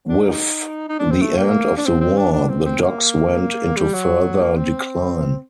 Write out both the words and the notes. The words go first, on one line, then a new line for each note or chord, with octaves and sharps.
With the end of the war the docks went into further decline.
D4
D#4
D#4
D4
C4
A3
A#3
D4
C4
C4
D4
D4
C4
C4
A#3
G3
F#3
A#3
C4